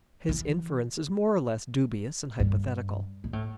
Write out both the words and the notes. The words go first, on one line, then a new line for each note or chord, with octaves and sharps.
His inference is more or less dubious and hypothetical.
E3
G2
A#2
A2